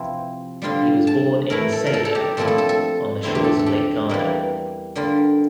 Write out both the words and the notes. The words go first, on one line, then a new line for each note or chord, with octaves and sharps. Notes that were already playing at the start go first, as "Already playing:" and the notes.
He was born in Salo on the shores of Lake Garda.
Already playing: C3 F3 C4 E4
D3 G3 C4 F4 C6
A5
E3 A3 E4 A#4
A4
A#4
A4
A4
G4
A#2 F3 A3 C4 E4 A4
A4
A4
A4
E2 D3 A3 C4 E4
G4
A4
A4
G4
E3 G3 A#3
D3 G3 A#3 F4